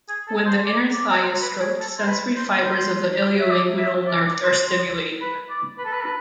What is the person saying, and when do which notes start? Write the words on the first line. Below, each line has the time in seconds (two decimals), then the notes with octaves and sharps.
When the inner thigh is stroked, sensory fibers of the ilioinguinal nerve are stimulated.
0.09 G#4
0.28 A4
0.46 C5
0.65 D5
0.93 D5
1.23 C5
1.42 B4
1.60 G#4
1.80 A4
1.99 C5
2.07 B4
2.36 C5
2.61 B4
2.65 C5
3.40 E5
3.51 D5
3.78 E5
4.07 D5
4.26 D5
4.44 C5
5.21 B4
5.50 D5
5.78 B4
5.85 A4
5.93 B4
6.01 A4
6.06 B4